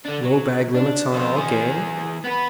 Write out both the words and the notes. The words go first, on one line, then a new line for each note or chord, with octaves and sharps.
Low bag limits on all game.
D3 D4
F#3
D4
F2 C5
E3 G#4
B3 B4